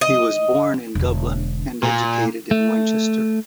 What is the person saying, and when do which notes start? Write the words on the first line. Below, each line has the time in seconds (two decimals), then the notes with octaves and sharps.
He was born in Dublin and educated at Winchester.
0.01 D#5
0.95 E1 D3
1.83 A#2
2.51 A3